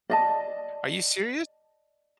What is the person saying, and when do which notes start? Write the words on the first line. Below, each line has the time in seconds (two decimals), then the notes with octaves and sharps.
Are you serious?"
0.10 D5 D#5 A5